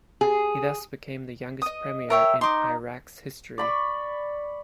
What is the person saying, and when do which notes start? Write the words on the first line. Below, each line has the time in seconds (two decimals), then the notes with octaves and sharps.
He thus became the youngest premier in Iraq's history.
0.21 G#4
1.62 D#5 D#6
2.10 A#4 C#5 E5 G5
2.41 D#4 C6 D6 D#6
3.58 D5 B5 C#6